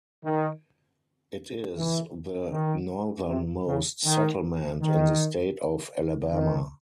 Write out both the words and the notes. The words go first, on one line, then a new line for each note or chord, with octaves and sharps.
It is the northernmost settlement in the state of Alabama.
D#3
E3
D#3
C3
C#3
D#3
D#3
D#3